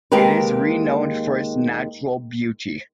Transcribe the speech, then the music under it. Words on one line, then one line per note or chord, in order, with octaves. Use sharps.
It is renowned for its natural beauty.
D#2 G#3 G4 A#4 B4